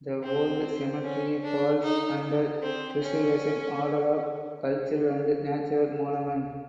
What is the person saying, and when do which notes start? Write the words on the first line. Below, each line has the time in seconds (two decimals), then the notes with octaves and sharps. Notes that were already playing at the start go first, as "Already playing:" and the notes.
The old cemetery falls under preservation order of cultural and natural monument.
0.23 C4
1.03 C#4
1.42 D4
1.82 D#4
2.62 C4
3.02 C#4